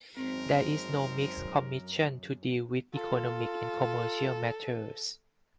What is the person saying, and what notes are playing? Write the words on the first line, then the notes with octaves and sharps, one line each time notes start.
There is no Mixed Commission to deal with economic and commercial matters.
G#1 F#2 G#3 C4 A#4 C5
F4 A4